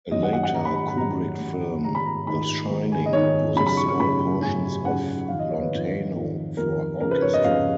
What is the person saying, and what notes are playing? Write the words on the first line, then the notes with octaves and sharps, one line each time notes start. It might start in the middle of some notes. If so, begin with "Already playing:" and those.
A later Kubrick film, "The Shining", uses small portions of "Lontano" for orchestra.
F#2 D#3 D#5
F#5
F#5
F#5
F#2 D#3 A#5
B5
B5
B5
F#2 D#3 A#5
F#2 D#3
G#2 D#3 A#5
B5
A#5
G#2 D#3 B5
G#2 D#3
G#5
D#5
G#2 D#3 C#5
F#2 C#3 B5
B5
C#6
C#6
F#2 C#3 B5
F#2 C#3 G#5
F#2 C#3 F#5
F2 D#3 F5
D#5
C#5
B4
F2 D#3
F2 D#3
F2 D#3 A#4
F2 C#3 A#4
B4
C#5
D#5
F2 C#3 F5